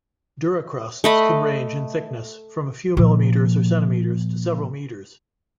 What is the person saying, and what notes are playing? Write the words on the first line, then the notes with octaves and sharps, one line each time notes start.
Duricrusts can range in thickness from a few millimeters or centimeters to several meters.
A3 D#5 B5
A#2 F3